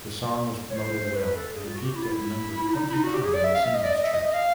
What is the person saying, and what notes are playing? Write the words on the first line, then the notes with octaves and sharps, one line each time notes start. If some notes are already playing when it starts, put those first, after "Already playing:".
The song was promoted well and peaked at number twenty-five on the singles chart.
C#5
C5
C5
B4
B4
A4
G#4
F4
F#4
G4
E4
F4
E4
E4
D#4
E4
D#4
F#4
G4
G#4
D5
E5
F5
E5
D#5
D5
D#5
E5
D#5
D#5
F5